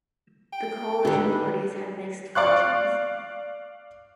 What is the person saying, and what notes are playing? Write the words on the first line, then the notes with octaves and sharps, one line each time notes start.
The coalition parties had mixed fortunes.
G5
D3 D#3 G#3 G4 A4 B4
D5 F5 C#6 F#6